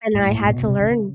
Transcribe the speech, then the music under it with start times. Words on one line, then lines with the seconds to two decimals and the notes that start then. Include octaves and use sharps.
and I had to learn
0.14 A2
0.30 A2
0.47 B2
0.63 C3
0.80 C#3